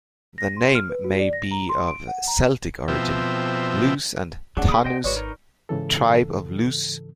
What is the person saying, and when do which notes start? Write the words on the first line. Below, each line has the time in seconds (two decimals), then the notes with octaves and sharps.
The name may be of Celtic origin: "Lus" and "Tanus", "tribe of Lus".
0.38 A#6
0.57 C6
0.75 F6
0.89 B4
1.04 F#4
1.19 D5
1.33 A#6
1.51 A#5
1.69 C6
1.88 D7
2.08 F#5
2.27 A#5
2.88 B2 F3 C4 E5 G5
4.57 F#3 A#3 D4 G#4 D5 F#5
4.69 B5 D#6
4.84 B2 C5 D#5 G5
5.04 G#1 G#3 F#4 B4 C#5 D5
5.16 D#4 A#4
5.69 G#2 C#3 E3 A4